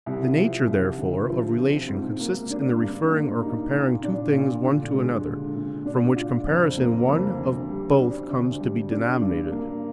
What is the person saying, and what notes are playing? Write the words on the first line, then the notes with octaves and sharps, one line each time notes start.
The nature therefore of relation consists in the referring or comparing two things one to another; from which comparison one of both comes to be denominated.
C2
F3
C2
D2
F3
C4
G#2
A#3
D4
G2
A#3
D#4
A#2
D4
A#2
D3
G#3
D3
A#2
D4
F4
F2
A#3
F2
D2
G3
D4
D2
G3
D4
G2
A#3